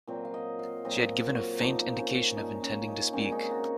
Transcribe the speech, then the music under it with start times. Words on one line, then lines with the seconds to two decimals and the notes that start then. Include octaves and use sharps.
She had given a faint indication of intending to speak.
0.07 A#2 F#3 C4
0.25 F5
0.34 D#5
0.59 F5
0.85 A#2 F#3 C4 D#5
1.35 F#4
1.61 A#2 F3 A#3 D#4
1.93 D#4
1.98 C#4
2.37 A#2 F3 A#3 D#4
2.63 C#4
2.88 D#4
3.13 A#2 G#3 C4 C#4
3.32 D#4
3.51 F#4